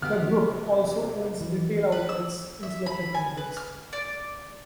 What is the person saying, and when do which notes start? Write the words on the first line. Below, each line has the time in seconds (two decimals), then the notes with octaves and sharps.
The Group also owns retail outlets in selected countries.
0.02 C3 B3 G4 F6
1.41 E3
1.92 B4
2.09 E6
2.63 E5
2.86 B5
3.14 G#5
3.37 B4
3.57 F6
3.93 D5